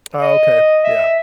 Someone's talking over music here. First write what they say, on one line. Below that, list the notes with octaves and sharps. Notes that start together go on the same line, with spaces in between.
Oh, okay. Yeah.
D#5
E5